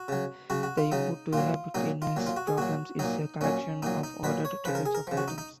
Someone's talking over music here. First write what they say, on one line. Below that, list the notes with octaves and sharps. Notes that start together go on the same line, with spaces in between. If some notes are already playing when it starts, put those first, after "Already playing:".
The input to a betweenness problem is a collection of ordered triples of items.
Already playing: F#4
C#3 F#3
C#3 F#3 F#4
F#4
F4
C#3 F#3 D#4
A#2 F#3 F4
A#2 F#3 D#4
F4
A#2 F#3
F4
F#4
G#4
A#2 F#3 F#4
A#2 F#3 D#4
A#2 F#3 C#4
A#2 F#3 D#4
D#4
A#2 F#3 B4
C#5
C#3 F3 B4
A#4
G#4
A#4
C#3 F3
F#4
D#4
D#4